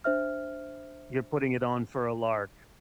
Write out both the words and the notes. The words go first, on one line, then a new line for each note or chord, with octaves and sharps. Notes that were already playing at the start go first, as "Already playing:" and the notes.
You're putting it on for a lark.
D4 C5 E5 F6